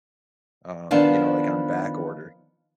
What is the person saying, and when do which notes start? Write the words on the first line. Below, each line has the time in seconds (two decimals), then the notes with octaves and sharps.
um, you know, like, on back order.
0.91 D#3 F3 B3 D4 C5 F5